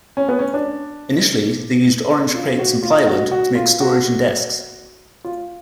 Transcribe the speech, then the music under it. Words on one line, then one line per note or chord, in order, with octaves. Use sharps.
Initially, they used orange crates and plywood to make storage and desks.
C#4
B3
C#4
D4
F4
F#4
F4
F#4
F#4
F4
F#4
F4